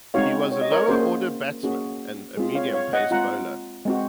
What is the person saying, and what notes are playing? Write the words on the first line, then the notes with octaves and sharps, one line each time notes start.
He was a lower order batsman and a medium pace bowler.
G#3 C4 D#4 F#4 C#5 F5
C#5
D#5
A#4 C#5
A#3 C#4 F#4 G#4 C5
A#3 C#4 F#4 G#4
G#3 C4 F4 G#4
C#5 F5
C#5 F5
D#5 F#5
G#3 C4 F4 F#5 A#5
G#3 C4 F#4